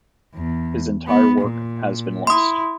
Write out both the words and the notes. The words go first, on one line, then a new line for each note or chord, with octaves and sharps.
His entire work has been lost.
E2
B3
A#2
E4 C6 D#6